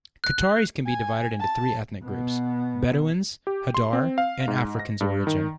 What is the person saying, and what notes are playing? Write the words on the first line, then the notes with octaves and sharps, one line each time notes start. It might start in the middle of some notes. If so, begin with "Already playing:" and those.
Qataris can be divided into three ethnic groups: Bedouins, Hadar, and Africans-origin.
F#6
G#5
A5
B2 B3
G4
C6
C4
F5
G#2
A#6
G2
D#3